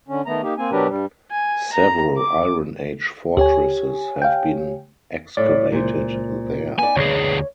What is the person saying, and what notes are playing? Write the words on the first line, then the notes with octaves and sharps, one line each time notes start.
Several Iron Age fortresses have been excavated there.
D3 C#4
D#3 A3 B3 A#5
A#3 D#4 G4
A#3 C4 G#5
B2 F#3 D4 G4 A#4 B4
G2 G3
G#5
A#5
D6
D2 G4 C#5 G#5
F5 G5
A2 G3 D5
C#2 A#2 C5
B3 D#4 D5 G#5
D2 G#4 C#5